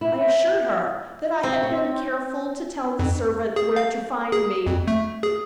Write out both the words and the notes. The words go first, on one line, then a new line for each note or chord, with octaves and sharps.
I assured her that I had been careful to tell the servant where to find me.
E4
C4
C#5
F2
G#4
F5
G#4
F2
A3
G#4